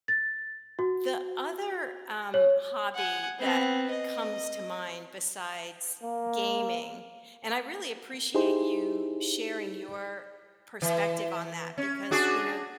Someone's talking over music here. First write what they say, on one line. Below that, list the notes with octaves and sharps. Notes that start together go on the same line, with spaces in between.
The other, um, hobby that comes to mind besides gaming, and I really appreciate you sharing your perspective on that because, you know,
A6
F#4
C#5
F#5 G#5
B3 C4
D#5
A#3
D#4 E4 G4 G#4 C5 C6
E3
C#4
D4 F#4 G#4